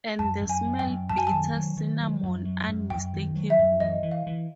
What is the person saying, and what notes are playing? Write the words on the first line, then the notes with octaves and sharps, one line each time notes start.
And the smell-bitter cinnamon, unmistakable.
F#2 A5
F#2
G#5
F#3
G5
F#2
F#2 A5
G#5
A5
D#3
F#3
D#3
F#3
F#2
F#3
F#2
F#2 G5
D#3
F#3
E5
F#2
E3 D#5
E3
F5
E3